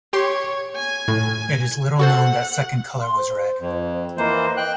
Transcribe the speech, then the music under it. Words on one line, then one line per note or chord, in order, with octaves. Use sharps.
It is little known that second color was red.
G4 C#5 C6
G#5
A2
F#4 A4 C5 F#5
C6
C5
F2
E3 A#3 C5 D#5
G5 F#6